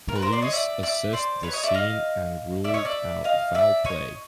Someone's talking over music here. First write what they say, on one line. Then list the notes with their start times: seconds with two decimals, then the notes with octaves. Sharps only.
Police assessed the scene and ruled out foul play.
0.08 A#4
0.16 B4
0.22 A#4 C5
0.32 C5 D5
0.42 C#5 D#5
0.53 D5 E5
0.83 D5 E5
1.13 C5 D5
1.43 B4 C#5
1.53 C#5 D#5
1.63 D5 E5
1.74 D#5 F5
2.64 D5 E5
2.74 C#5 D#5
2.85 D5 E5
3.24 D#5 F5
3.55 D5 E5
3.85 C#5 D#5